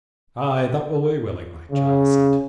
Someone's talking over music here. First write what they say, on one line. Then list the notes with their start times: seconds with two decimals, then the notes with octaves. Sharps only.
"Aye, that will we willingly," Giles said.
1.72 C#3